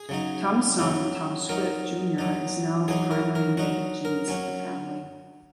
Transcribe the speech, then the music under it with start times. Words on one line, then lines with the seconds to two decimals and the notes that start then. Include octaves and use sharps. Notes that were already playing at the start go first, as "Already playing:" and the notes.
Tom's son, Tom Swift, Junior is now the primary inventive genius of the family.
Already playing: G#4
0.09 C#3 F#3 D#4
0.79 C#3 F#3 D#4
1.49 F#3 D#4 A#4
2.18 F#3 D#4
2.88 F#3 D#4 G#4
3.11 A#4
3.35 A#4
3.57 F#3 D#4 F#4
4.05 A#4
4.28 F#3 C#4